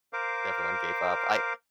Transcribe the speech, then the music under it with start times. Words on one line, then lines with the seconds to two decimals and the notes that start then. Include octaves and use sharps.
everyone gave up. I
0.13 A#4 C5 F5 D6